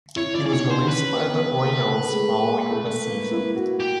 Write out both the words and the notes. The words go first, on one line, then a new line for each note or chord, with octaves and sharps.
He was released by the Orioles following the season.
E4 C#5
E4 D5
D5
D#4 C#5
D4 C5
C#4 B4
B3
A#3
A3
G#3
G#3
A3
A#3
E4
F#4
G4